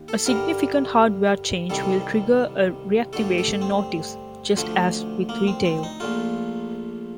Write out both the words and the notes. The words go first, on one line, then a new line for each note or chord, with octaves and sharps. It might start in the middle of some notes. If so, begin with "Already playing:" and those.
A significant hardware change will trigger a reactivation notice, just as with retail.
Already playing: D#2
A4
G2 D3 G3 A#4
C2 C3 D#3 G3 A4
G2 D3 A3 A4
A4
C4
D2 D3 F3 A3
A#3
C4
C4
D#4
A#1 A#2 A3 F4